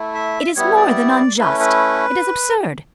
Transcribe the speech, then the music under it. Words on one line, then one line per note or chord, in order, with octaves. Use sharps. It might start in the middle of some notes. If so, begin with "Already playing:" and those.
It is more than unjust--it is absurd!
Already playing: A3 E4
E5
G3 B3 E4 C#5
D5
A3 C#4 E4 B4
B4